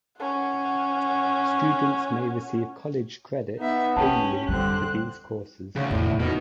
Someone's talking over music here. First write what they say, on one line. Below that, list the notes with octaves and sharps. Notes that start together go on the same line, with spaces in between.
Students may receive college credit only for these courses.
C#4 F#5
B3 D#4 E5
A3 C#4 G4 A5
F2 D3 G3 C4 F#6
D2 C#3
F1 E2 A2
B2 A#3 D#4